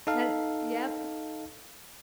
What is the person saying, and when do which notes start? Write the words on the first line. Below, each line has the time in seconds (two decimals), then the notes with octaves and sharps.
and yep.
0.07 D#4 A4 F5